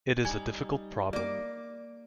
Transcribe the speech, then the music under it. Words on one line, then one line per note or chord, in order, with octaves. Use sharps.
It is a difficult problem.
G3 D#4 G#5 G#6
A#3 D5 D6